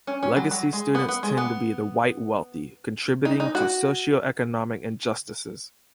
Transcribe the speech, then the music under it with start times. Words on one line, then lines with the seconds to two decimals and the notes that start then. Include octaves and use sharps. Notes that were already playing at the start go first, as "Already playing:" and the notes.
Legacy students tend to be the white wealthy, contributing to socioeconomic injustices.
0.07 C#4
0.23 C#4
0.36 F#3
0.51 F#3
0.73 G#3
0.95 B3
1.08 B3
1.23 G#3
1.37 B3
3.25 D#4
3.40 D#4
3.55 F#4